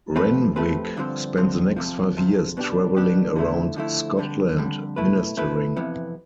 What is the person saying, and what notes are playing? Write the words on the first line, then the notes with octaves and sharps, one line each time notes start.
Renwick spent the next five years travelling around Scotland ministering.
F3 A3 C4 G4 B4
F3 A3 C4 G4 B4
G2 D3 F3 C4
G2 D3 F3 C4
F2 C3 F3
F2 C3 F3
B2 B3 D4 G4
B2 B3 D4 G4
D3 F3 A3 E4
D3 F3 A3 E4
F2 D3 G3
F2 D3 G3
B2 A3 E4 B4
B2 A3 E4 B4
F2 C3 E3 B3